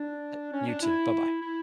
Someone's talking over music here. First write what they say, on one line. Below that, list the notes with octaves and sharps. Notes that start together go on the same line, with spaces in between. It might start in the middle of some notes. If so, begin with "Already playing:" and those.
Eh you too, bye-bye.
Already playing: D4
C#4
D4
E4
E4